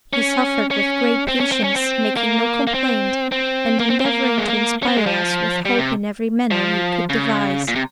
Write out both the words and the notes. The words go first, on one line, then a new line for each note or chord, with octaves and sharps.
He suffered with great patience, making no complaint, and endeavouring to inspire us with hope in every manner he could devise.
C#4
C#4
C4
C#4
C4
C#4
C4
A#3
A#3
C4
C4
A#3
C4
C4
A#3
G#3
A#3
C#4
C4
G#3
F3
G3
C3
F3
C#3
A#2
C3